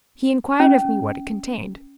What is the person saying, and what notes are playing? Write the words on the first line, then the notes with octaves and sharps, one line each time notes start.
He inquired of me what it contained.
C#4